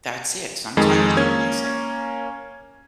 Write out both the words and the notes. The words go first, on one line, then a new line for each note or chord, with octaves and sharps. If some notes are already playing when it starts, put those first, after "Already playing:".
That's it, sometimes you can say
F2 D#3 G#3
A#3 C#4 G#6